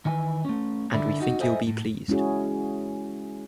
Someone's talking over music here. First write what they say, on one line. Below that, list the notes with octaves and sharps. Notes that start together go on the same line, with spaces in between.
And we think you'll be pleased.
D#3 E3 G#5
A3 C#4
D3 D4 E4
D#4 F#4
A4 C5 D#5 E5 G#5
A2
G#3 C#4 E4 F#4 G#4